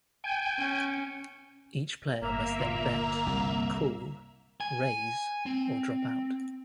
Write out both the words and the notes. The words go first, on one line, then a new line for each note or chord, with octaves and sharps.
Each player must then bet, call, raise or drop out.
G5 G#5
C#4
G1 A#3 E5 A#5
A#2
C2
G#5
C4